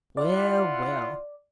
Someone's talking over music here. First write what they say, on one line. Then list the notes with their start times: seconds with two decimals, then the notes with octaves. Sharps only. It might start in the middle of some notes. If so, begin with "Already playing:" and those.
Well, well.
0.17 E4 F4 D5 F#5